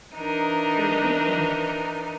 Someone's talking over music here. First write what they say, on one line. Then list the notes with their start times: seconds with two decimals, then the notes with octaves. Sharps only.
It is good sense.
0.14 E3 D4 D#4 A#4